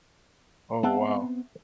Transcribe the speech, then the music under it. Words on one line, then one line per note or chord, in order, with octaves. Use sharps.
Oh, wow.
B3 C4 E5 F#5 A5